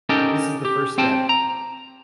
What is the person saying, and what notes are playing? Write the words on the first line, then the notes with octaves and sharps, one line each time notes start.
This is the first step.
C#4 D#4 G4 A4 A#4
G4
C4 G5 A5
A#5